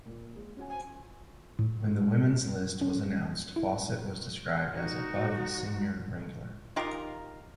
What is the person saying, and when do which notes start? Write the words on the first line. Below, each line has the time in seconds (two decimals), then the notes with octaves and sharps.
When the women's list was announced Fawcett was described as "above the senior wrangler".
0.05 A#2 A#3
0.36 G#3 G#4
0.57 C#4 F#4 G#5
0.69 C5 G#5
1.59 A2
2.81 C#4
3.56 E4
4.74 D#4 F#4
6.76 D#3 F4 G4 A#4